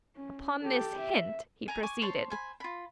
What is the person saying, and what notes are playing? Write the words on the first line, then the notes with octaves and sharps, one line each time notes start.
Upon this hint he proceeded.
C#4
G4 A4
E5
G#5 A#5
G#5 C#6 D6
C5 C#5 A5 C6
C5 G#5 B5
F4 B5